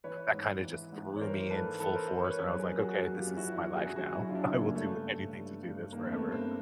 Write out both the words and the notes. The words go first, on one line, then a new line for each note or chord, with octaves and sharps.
that kinda just threw me in full force, and I was like, "Okay, this is my life now. I will do anything to do this forever."
E3 B4 C#5
G#2
E3
G#2
C#5
E3 A#4 C5
G#2 A4 B4
E3 A4 B4
A#4 C5
E3 A#4 C5
B4 C#5
F#2 B4 C#5
G#4 A#4
F#2
F#4 G#4
F#2 F#4 G#4
F4 G4
F3
E4 F#4
F#2 E4 F#4
F#4 G#4
F#2
F#4 G#4
F#2 E4 F#4
F4
D4 E4
C#3
A#3
G2 A3
G2
G2
G2
D#3 A#3
C4
A3 B3
G2
A#3 C4